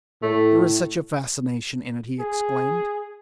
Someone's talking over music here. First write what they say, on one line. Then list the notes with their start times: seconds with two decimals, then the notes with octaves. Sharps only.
"There is such a fascination in it!" he exclaimed.
0.23 A2 A3
2.20 G#4